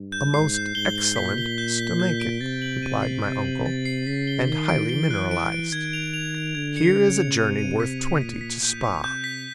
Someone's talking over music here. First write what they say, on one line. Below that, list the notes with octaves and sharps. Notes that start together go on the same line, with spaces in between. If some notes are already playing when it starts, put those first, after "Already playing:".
"A most excellent stomachic," replied my uncle, "and highly mineralized. Here is a journey worth twenty to Spa."
Already playing: G2
G6
G#2 C7
G6
G#2 G7
G7
A#2 B6
G7
G6
B6
G6
D7
C3 A6
F#7
D#7
C7
C3 A6
F#7
A6
C7
C#3 B6
G7
D#3 G7
D7
E3 G7
F#6
D7
D7
D#3 G#6
F7
F7
G#6
D3 G#6
C#7
C#3 F7
F7
C3 D#7
D#7
B6
D#6
A#2 B6
B6
A#2 G6
B6
C3 G6
B6